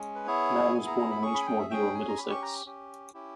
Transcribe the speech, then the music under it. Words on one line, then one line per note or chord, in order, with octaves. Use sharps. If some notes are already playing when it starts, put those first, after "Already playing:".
Mann was born in Winchmore Hill, Middlesex.
Already playing: G#3 C#4
B4
B3 E4 G#4 C#5
B3 E4 G#4 G#5
A#5
A#5
B5
C#4 G#4 C#6
B5
G#5
G5
E5
C#4 G#4 G5
G#5
A#5
C#4 G4 B5
C#6
A#5
C#4 G4
C#4 E4 G4